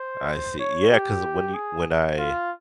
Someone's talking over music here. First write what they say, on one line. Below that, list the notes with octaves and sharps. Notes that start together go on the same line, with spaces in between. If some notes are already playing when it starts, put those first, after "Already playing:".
I see. Yeah, 'cause when you when I
Already playing: C5
C#5
G4
G#4
F4